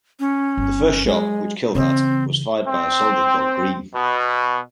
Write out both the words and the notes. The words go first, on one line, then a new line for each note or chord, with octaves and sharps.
The first shot, which killed Art, was fired by a soldier called Green.
C#4
G1
F#3 G#3
C#3 E3 C4
C4
B2